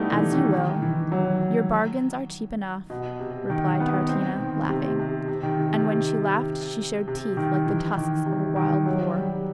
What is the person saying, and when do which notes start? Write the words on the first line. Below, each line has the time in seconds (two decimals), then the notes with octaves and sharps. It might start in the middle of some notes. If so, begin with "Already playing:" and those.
"As you will; your bargains are cheap enough," replied Troutina, laughing: and when she laughed she showed teeth like the tusks of a wild boar.
Already playing: G3 A3 B3 D#4 E4
0.12 E3
0.32 D#3
0.51 D#3
0.82 E3
1.12 F#3
2.90 B2
3.20 C3
3.50 D#3
3.80 B3
4.09 C4
4.40 D#3
4.69 C3
5.00 C3
5.28 C3
5.43 D#3
5.59 C3
5.74 C3
7.08 C3
7.37 D#3
7.66 E3
7.97 D#3
8.26 C3
8.56 D#3
8.86 F#3
9.16 G3